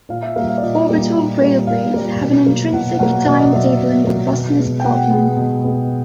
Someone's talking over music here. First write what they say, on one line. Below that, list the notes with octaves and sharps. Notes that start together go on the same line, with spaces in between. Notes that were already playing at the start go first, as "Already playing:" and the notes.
Orbital railways have an intrinsic timetabling robustness problem.
A#2 F5
E5
G3 A#3 F5
F5
D5
A#2 D#5
G3 A#3
A#2
G3 A#3
A#2 F5
G3 A#3
B2
F#3 A#3
B2 F#5
F#3 A#3 F#5
B2 D5
D#5
F#3 A#3 E5
E5
B2
F#3 A#3
B2
G#3 B3
G5
B2 F#5
G#3 B3
B2
G#3 B3